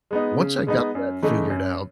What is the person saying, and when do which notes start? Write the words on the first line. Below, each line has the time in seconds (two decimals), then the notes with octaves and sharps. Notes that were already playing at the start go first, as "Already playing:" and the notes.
once I got that figured out
0.11 G#3 B3 D#4
0.38 C#3
0.67 G#3 B3 D#4
0.95 F#2
1.22 C#3 E3 A3 D#4
1.50 F#2